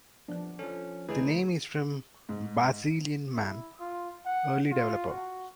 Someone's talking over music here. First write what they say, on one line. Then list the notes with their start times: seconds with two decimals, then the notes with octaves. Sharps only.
The name is from Barzillian Mann, early developer.
0.28 F3 B3 D4
0.59 F3 C#4 A4
1.09 D2 E3 G#3 D#4 G#4 B4
2.29 G#2
3.35 E4
3.80 F4
4.25 F#5
4.71 F4
5.09 F#4